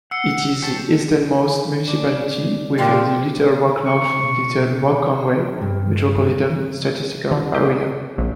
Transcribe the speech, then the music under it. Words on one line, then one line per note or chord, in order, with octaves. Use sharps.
It is the easternmost municipality within the Little Rock-North Little Rock-Conway Metropolitan Statistical Area.
F#5 E6 C7 C#7
G4 C#5 A5 C#7
D4
A#2 D3 F3 D4 G4
C#6
B2
D2 G2
D3
G4
A#1